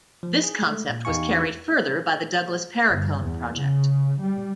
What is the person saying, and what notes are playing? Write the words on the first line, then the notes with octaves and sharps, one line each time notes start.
This concept was carried further by the Douglas Paracone project.
F3
G#4
G#3 A3
A#2
E2 D#4 G4 F5 G#5 C#6
G1
E2
C#3
G3